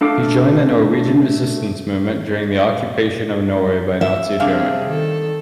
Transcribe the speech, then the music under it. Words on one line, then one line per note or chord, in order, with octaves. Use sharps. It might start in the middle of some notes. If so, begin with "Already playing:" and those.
He joined the Norwegian resistance movement during the occupation of Norway by Nazi Germany.
A3 D4 A4 F5 D6
E5
C3 G3 D4 G#4 F5
D#3 A4